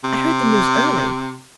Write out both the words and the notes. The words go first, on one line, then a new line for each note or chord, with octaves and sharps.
'I heard the news early.
C3